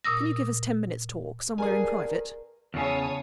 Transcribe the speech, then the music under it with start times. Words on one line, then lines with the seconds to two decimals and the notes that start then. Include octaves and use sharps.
Can you give us ten minutes' talk, somewhere in private?
0.04 A#2 D#6 E6 A#6
1.58 G2 G#4 A#4 G#5
2.74 E2 C#3 C#5 A5 D#6